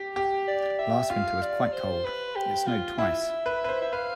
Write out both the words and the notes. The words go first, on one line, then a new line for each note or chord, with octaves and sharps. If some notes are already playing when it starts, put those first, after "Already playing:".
Last winter was quite cold, it snowed twice.
Already playing: G4
G4
D5
E5
F4 F5
D5
C5
B4
G4
F4
E4 E5
B4
B4
C5
E5
B4 F5